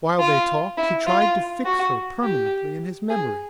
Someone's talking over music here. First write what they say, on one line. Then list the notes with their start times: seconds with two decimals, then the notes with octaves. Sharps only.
While they talked he tried to fix her permanently in his memory.
0.19 F4
0.78 E4
1.07 F4
1.65 F#4
2.23 G4
3.10 G#4